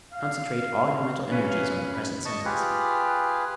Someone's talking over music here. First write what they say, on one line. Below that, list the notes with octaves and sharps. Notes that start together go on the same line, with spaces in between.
Concentrate all your mental energies on the present sentence.
F5
C3 C#4 B4 C#5 F5
B5
D#5 A5 C#6
F4 G4 G#4 B4